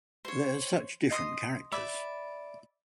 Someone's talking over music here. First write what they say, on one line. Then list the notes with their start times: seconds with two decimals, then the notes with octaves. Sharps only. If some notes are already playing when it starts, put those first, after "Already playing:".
They're such different characters.
0.25 C5 C#5
1.10 D#5 C6 D#6
1.72 D5 E5 B5